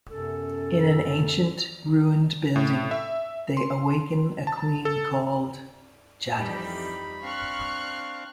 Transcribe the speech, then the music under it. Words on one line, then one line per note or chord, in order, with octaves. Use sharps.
In an ancient, ruined building they awaken a queen called Jadis.
F#2 C3 B3 C#4 A4
A2
E5
C6
A5
A4
F2 E3 G3 D#4 B5
C4 D4 F5 C#6 F6 F#6